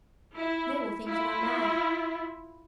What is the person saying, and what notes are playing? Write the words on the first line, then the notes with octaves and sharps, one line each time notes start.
"They will think you are mad."
E4
E4 F4